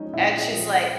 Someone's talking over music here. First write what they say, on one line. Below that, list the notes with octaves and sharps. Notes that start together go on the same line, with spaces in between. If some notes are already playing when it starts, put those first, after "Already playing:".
And she's like
Already playing: F3 G#3 C#4 D#4 D#5
A#2 E4 E5
F3 G#3